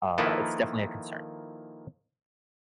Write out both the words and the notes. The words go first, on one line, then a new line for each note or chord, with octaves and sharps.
uh, it's definitely a concern.
D#3 F3 A#3 E4 A4 B4